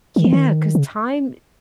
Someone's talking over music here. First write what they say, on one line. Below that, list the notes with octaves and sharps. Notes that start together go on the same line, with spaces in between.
Yeah, 'cause time
D#3
E3
D#3
C#3